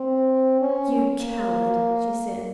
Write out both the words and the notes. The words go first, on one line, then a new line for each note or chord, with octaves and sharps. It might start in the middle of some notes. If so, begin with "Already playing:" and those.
"You coward!" she said.
Already playing: C4
C#4
A#3